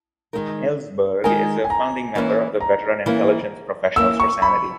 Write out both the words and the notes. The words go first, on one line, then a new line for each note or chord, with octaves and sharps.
Ellsberg is a founding member of the Veteran Intelligence Professionals for Sanity.
D#3 G#3 D#4 A#4
D#3 G#3 D#4 A#4 G#5
G#5
A#5
E3 A#3 C#4 E4
A#5
E3 A#3 C#4 E4
E3 A#3 C#4 E4 E6
C#6
B5